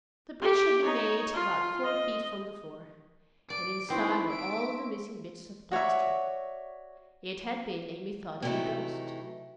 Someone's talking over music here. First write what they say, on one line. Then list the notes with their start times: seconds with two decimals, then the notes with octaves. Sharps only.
The breach had been made about four feet from the floor, and inside were all the missing bits of plaster. It had been a methodical ghost.
0.41 G4
0.82 D#4 C#5
1.33 F4
1.84 D#5
3.50 D5 D7
3.90 C4 D#4 E4 B4 C6 C#6
4.31 E5 D7
5.71 F#4 C#5 D5 E5
8.42 C3 E3 F#3 A3 D#4 E4